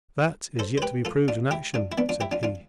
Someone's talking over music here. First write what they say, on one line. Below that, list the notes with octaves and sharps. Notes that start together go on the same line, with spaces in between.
"That is yet to be proved in action," said he.
A4 C5
C5
G4 B4
F4 A4
D4 F4
E4 G4
D4 F4
E4
B3 D4
D4 F4
E4 G4
D4 F4
D4 F4